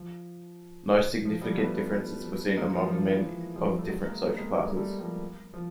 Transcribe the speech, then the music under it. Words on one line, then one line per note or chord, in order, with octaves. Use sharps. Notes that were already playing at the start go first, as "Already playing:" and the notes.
No significant differences were seen among men of different social classes.
Already playing: F3
F3
F3 G3
A3 B3
G#3 A#3
F3
F3
E3
F3
F3 G3
A3
F#3 G#3
G#3 A#3
A3 B3
G#3 A#3
G3 A3
G3 A3
F3 G3
F3